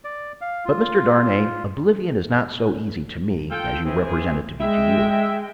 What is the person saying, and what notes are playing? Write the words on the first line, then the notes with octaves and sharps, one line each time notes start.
But, Mr. Darnay, oblivion is not so easy to me, as you represent it to be to you.
D5
F5
F4
F4 A4 G5
E3 C4 G#4
G#3 E5 G5